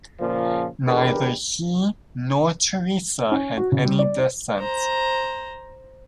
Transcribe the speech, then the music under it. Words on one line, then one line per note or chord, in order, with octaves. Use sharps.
Neither he nor Teresa had any descent.
A#2 C#3 F3
G#1 E2 D4 G4 A#4 B4
C#4
F#4
C#3
G3
D5
C5
C5 A#5